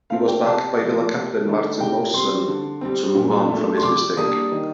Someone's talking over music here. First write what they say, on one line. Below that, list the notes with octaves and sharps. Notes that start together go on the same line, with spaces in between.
He was backed by Villa captain Martin Laursen to move on from his mistake.
A3 C4 F5
G5
C3 A5
F3 A3
C3
D#3 A3 D4
C3 G5
G3 C4 C6
D3
G3 C4
A#2
A3 D4
C6
C3 D6
G3 A#3 D4 D#6
D#3